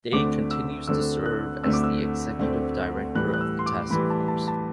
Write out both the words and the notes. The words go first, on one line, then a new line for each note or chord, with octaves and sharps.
Day continues to serve as the executive director of the task force.
D2 D3 A3 C4 D6
E6
D2 D3 A3 C4 E6
F#6
D2 D3 A3 C4 E6
D6
E6
D2 D3 A3 C4
A2 E3 G3 F#6
F#6
E6
C6
D6
A2 E3 G3 B5
A5
A5
A5